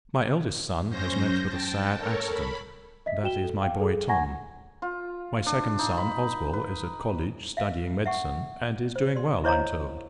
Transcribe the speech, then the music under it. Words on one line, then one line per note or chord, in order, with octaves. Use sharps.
My eldest son has met with a sad accident--that is, my boy Tom; my second son, Oswell, is at college studying medicine, and is doing well I am told.
F#2 C#4 C5 G6 A#6
G5 A5
A4 A#4 C#5 A5
B5
D#5 E5 B6
F#4 G5 E7 G7
A4
F5 G5
G#4 A4
F#5 G#5 A#5 C#6 G#6 A#6
F4
D4
D#4
B5
B4
E5 F5
E5 F#5 C#6
C5
D5 C6
E4 C5 C#5 D#5 F5 A#5